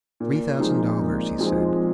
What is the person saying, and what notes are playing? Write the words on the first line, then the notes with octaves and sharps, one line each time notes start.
"Three thousand dollars," he said.
A#2
F3 G#3 C4 D#4
A#2
F3 G#3 C4 D#4